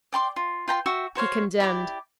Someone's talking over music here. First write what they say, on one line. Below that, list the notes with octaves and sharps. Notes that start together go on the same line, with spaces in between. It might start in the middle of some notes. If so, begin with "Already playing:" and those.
He condemned.
D5 G5 C6 D6
F4
F4 G5 A#5 C6
F#4 E5 G5 C#6
F#4 C5 C#5 F5
E4 G4 D5 D6